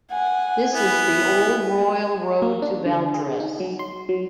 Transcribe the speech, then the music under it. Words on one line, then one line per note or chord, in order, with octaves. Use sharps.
This is the old royal road to Valdres.
F#5 G#5
B3 E4
A#3
D4
D3
G#4
D#4
F#3
C6
F#3